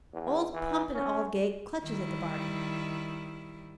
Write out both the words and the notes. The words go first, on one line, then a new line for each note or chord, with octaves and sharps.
Old Pump and Aldgate clutches at the bargain.
E2
E3
C#4
D#3 G3 E4